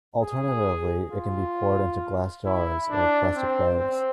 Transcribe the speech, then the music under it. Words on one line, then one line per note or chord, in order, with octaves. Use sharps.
Alternatively it can be poured into glass jars or plastic bags.
G#4
F4
E4
D4
C4
C4